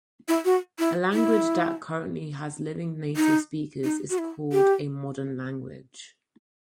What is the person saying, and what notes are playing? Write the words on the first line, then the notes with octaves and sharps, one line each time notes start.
A language that currently has living native speakers is called a modern language.
E4
F#4
E4
E4
D#4
D#4
F#4
E4
G4